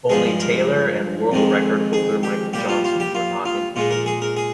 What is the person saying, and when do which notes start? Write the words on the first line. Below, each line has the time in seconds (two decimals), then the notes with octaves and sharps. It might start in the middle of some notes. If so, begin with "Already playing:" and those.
Only Taylor and world record holder Michael Johnson were not implicated.
0.10 G2 F3 G#3 G#4
0.40 A#4
1.32 F2 D#3 G#3
1.93 G#4
2.23 G4
2.53 A#2 G3 G4
2.69 F4
2.84 F4
3.00 G4
3.15 F4
3.46 F4
3.76 A#2 G#3 F4
3.91 A#4
4.06 G#4
4.22 A#4
4.37 G#4